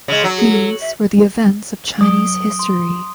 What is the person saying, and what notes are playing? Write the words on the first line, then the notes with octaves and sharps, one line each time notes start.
These were the events of Chinese history.
C#3 G#3
F#3
G#4
A4
E5
F#3 D#6 D7 G7
C6